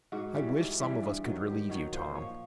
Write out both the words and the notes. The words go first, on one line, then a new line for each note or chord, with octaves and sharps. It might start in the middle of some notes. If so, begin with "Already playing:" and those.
"I wish some of us could relieve you, Tom."
G#2 F#4
E3 G3
G#2
E3 G3
G2
D#3 F#3
G2 G4
D#3 F#3 C#5
A#2 C5
F3 C#5